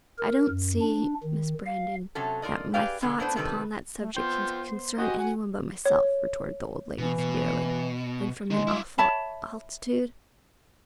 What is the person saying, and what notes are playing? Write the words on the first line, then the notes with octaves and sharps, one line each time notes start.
'I don't see, Miss Brandon, that my thoughts upon that subject can concern anyone but myself,' retorted the old lady, severely, and from an awful altitude.
A#4
F#2
D4
D#3
F5
C3 F#3 C#4 A4
F4 F#4 A#4 D5 D#5
G4 G#4 B4 D5 F5 G5
B2 D3 G#3
A2 B3 D4 B4 C5
C3 D#3 G3 C4 A4 B4
A3
B3 F4 C5 G5
F#4 G4 D#5 G#5 D#6
F#5 G#5
C#5
B2 E3
B2
D3 D#3 G#3
E4 F4
C#5 E5 A5 B5